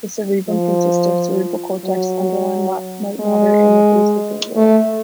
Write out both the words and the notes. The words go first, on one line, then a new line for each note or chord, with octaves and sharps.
The cerebrum consists of the cerebral cortex, underlying white matter, and the basal ganglia.
F3
F#3
G#3
A3